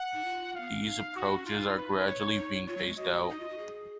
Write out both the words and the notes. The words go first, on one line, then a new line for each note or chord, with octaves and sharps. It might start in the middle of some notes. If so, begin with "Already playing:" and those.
These approaches are gradually being phased out.
Already playing: F#5
D#4
F4
F5
B3
C#4
D#4
F#4
C#4
D#4 F4
B4
C#5
D#4
F4 C#5
F#3
G#3
F#4 D#5
D#4
F4
F#4
G#4